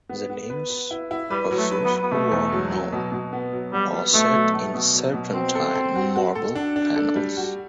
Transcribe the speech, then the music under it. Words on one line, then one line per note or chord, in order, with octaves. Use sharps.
The names of those who are known are set in serpentine marble panels.
B3
B3
B4
B4
E4
E4
G3 B4
F#3
A3
B4
B3
B4
B3
B2 A3
E2
F#3
F#3
B2
B2
B3
F#3
G3 B3
B3
B2 A3
F#3
B3
B2
F#3
B2
C4 F#4
A4
A4
F#4
F#4
A4
D4
D4
A4
G3
F#4